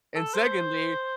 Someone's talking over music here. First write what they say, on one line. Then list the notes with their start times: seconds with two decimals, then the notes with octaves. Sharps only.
And secondly"
0.15 A4
0.34 C5